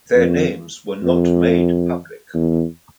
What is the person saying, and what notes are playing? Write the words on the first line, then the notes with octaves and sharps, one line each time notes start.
Their names were not made public.
F2
F2
E2